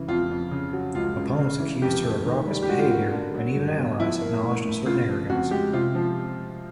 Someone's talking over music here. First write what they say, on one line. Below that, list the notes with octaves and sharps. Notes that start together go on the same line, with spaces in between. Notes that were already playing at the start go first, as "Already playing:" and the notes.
Opponents accused her of raucous behavior, while even allies acknowledged a certain arrogance.
Already playing: C#3 E3
F2 F4
F2
C#3
F#3
C#2 F4
C#2
C#3
E3
F2 G4
A3
D#3
G3
G4
G#2 F#4
F4
A#3 F#4
D3
F#3
G2
B3
F3 E4
A#3
A2
A2
C#3 F4
F3
F2 F#4
G#3 G4
C3 F4
F3